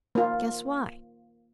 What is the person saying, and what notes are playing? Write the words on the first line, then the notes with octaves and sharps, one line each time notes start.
Guess why?
A#3 F4